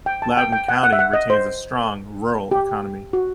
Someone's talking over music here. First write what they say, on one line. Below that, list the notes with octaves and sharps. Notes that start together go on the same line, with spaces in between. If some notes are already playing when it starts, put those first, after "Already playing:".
Loudoun County retains a strong rural economy.
G5
A5
G5
G5
F#5
F#5
E5
F#5
D#5
C5
G4
F#4